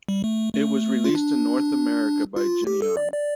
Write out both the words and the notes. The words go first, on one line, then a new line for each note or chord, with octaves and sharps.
It was released in North America by Geneon.
G3
A3
A3
F4
D4
F4
G4
A4
D5
D5